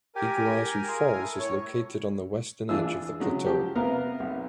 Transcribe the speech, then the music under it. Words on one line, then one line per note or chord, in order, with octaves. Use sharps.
Iguazu Falls is located on the western edge of the plateau.
G4 A#4 G5 G#5
F4 G#4
E4 A4
A2 C#5
E3 D4 F4 G#4 E6
C#3 F#3 G#3
F3 G4
C3 B3 A#4 F5 A#5
B1